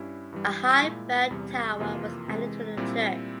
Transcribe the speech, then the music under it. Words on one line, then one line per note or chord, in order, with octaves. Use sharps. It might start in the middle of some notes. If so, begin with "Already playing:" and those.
A high bell tower was added to the church.
Already playing: G2 G3 C#4 E4
G2 E3 G3
A#2 G#3 E4
E2 C3 G3
F2 C3 E3 A#3 F4
C3 E3 G#3
A#2 G3 C4 E4